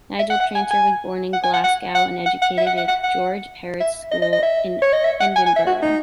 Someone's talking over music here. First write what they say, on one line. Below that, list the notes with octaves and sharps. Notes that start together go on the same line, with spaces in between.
Nigel Tranter was born in Glasgow and educated at George Heriot's School in Edinburgh.
E5
F#5
F#5
G#5
G#5
F#5
G#5
F#5
F#5
F#5
F#5
F#5
E5
F#5
F#5
F#5
F#5
E5
D#5
D#5
D#5
E5
C#5
D#5
E5
F#5
G#5
G#5
E5
F#4
D#4